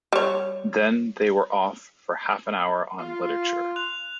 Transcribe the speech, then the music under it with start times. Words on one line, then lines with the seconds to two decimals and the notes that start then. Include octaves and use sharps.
Then they were off for half an hour on literature.
0.13 G3 C#5
2.98 F4
3.76 F#6 F7